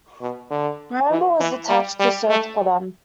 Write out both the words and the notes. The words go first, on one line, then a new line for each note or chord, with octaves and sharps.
"Bramble" was detached to search for them.
B2
D3
E3
E3
G3
G3
A3